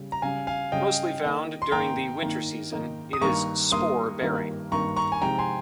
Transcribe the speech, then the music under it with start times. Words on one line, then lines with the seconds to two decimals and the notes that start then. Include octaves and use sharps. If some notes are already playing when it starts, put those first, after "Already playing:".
Mostly found during the winter season, it is spore bearing.
Already playing: C#3 G3 C#4
0.12 A#5
0.22 C#3 G3 C#4 F5 G#5
0.47 F5 G#5
0.72 C#3 G3 C#4 D#5 G5
1.22 D#3 A#3 D#4
1.62 C6
1.71 D#3 A#3 D#4 G5 A#5
2.22 D#3 A#3 D#4
2.72 D#3 A#3 D#4
3.13 D#6
3.21 G2 D#3 A#3 A#5 C#6
3.72 G2 D#3 A#3 C6 D#6
4.22 G2 D#3 A#3
4.72 G2 D#3 A#3 A#5 C#6
4.96 A#5 C#6
5.12 G#5
5.22 C3 F3 G#3 C4 D#4 G5 A#5
5.38 G#5 C6